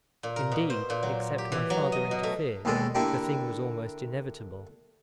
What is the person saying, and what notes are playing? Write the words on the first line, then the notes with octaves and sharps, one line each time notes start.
Indeed, except my father interfered, the thing was almost inevitable.
A#2
A#4
B2
C5
A#2
F#3
G4
E3
F#3
D#5
B2
A3
D#2 B2 G#3 A4 D5
D3 A#3 D4 E4 G4